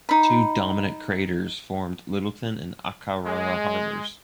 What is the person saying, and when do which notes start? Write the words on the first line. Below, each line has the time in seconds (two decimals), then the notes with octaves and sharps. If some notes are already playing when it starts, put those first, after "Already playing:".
Two dominant craters formed Lyttelton and Akaroa Harbours.
0.09 D#4 B5
3.26 G#3